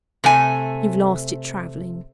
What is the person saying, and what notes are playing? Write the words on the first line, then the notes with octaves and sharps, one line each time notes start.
"You've lost it travelling."
C3 A3 G#5